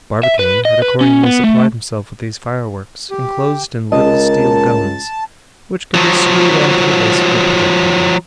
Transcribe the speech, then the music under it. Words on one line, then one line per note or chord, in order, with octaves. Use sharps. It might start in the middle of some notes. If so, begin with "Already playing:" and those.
Barbicane had accordingly supplied himself with these fireworks, enclosed in little steel guns, which could be screwed on to the base of the projectile.
E5
B4
D#5
B4
C#4
B3
A3
G4
C#2 A#4 D#5 A5
F3 F#3